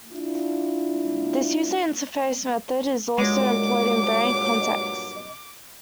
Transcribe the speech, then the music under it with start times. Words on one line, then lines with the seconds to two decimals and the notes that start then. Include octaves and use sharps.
This user interface method is also employed in varying contexts.
0.13 D4 E4 F4
3.18 G2 A#2 F#3 G#3 D6